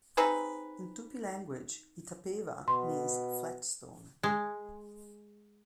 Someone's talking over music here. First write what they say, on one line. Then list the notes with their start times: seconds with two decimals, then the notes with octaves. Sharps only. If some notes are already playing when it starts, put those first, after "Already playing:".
In Tupi language, Itapeva means "flat stone".
0.17 C4 D#4 G#4 B4
2.68 B2 C6
4.23 G#3